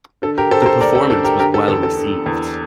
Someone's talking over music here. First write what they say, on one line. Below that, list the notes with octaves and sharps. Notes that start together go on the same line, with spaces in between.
The performance was well received.
D3 A4
G4 A#4
D3 A4 C5
A#4
A4 C5
D2 A#4 D5
A4
D3 A4
G4 A#4
D3 G4 A#4
A4
E2 A4
A4
D3
E2